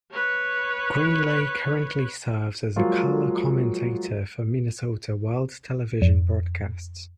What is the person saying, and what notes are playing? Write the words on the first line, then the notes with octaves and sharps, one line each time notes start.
Greenlay currently serves as a color commentator for Minnesota Wild television broadcasts.
B4 C#5
F3 F#3 G#3 A#3 F4 F#4
F2